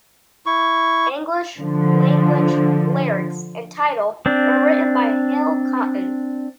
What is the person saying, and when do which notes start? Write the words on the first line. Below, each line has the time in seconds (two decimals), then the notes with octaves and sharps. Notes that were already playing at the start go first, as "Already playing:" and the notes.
English language lyrics and title were written by Hal Cotten.
0.46 E4 C#6
1.58 D3 F3
4.26 C4 D4